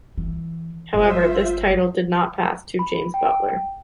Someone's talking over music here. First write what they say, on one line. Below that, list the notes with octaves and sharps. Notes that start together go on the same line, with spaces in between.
However, this title did not pass to James Butler.
E3
G1 F4 C5 E5
B5
G5